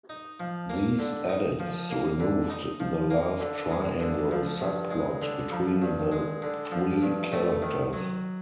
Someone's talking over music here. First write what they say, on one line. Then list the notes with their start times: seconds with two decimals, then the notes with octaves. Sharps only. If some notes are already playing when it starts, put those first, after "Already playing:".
These edits removed the love triangle subplot between the three characters.
0.09 D#4
0.40 F3
0.70 A#3
0.99 D3
1.29 D#4
1.60 F3
1.90 A#3
2.20 D3
2.50 D#4
2.80 F3
3.10 A#3
3.41 D3
3.71 G#3
4.00 D3
4.31 F3
4.60 G2
4.91 G#3
5.22 D3
5.51 F3
5.82 G2
6.12 G#3
6.42 D3
6.71 F3
7.02 G2
7.32 A3
7.62 D#3
7.93 F#3